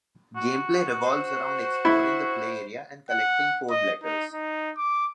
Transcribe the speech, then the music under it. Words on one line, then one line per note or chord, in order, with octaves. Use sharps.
Gameplay revolves around exploring the play-area and collecting code-letters.
F#4
C5
E4
F#5
D#5
D#4
D#4
D6